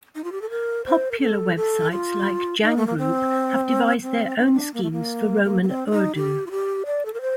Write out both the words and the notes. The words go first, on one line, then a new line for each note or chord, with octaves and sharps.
Popular websites like Jang Group have devised their own schemes for Roman Urdu.
D#4
F4
G4
A4
A#4
C5
A#4
A4
A4
F4
D#4
A3
A#3
C4
C4
D4
C4
D4
A#3
A3
A#3
A#3
A#3
C4
D4
D#4
G4
F4
G4
D5
A4
A#4
C5